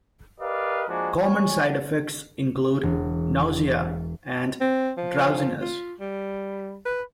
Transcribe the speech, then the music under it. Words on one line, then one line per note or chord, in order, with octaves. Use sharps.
Common side effects include nausea and drowsiness.
G4 A#4 B4 D5 D#5 F5
F3 G#3 A#3 D4 F#4 G#4
C#5 G#5
E1
C4
F3
F4
G3
B4